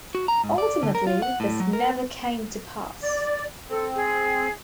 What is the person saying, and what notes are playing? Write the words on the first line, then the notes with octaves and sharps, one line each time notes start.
Ultimately, this never came to pass.
F#4
A#5
G#2
D5
D3
A#4
F4
F#5
A2
F#3
A#4
D5
C4 A4
G#4